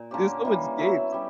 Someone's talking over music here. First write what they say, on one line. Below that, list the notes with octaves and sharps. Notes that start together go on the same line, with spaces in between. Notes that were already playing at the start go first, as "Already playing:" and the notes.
There's so much games.
Already playing: A#2
D3 A#3 C#4 G4
E3 G3 A#3
F#3 B3 E4
G3 C#4 G4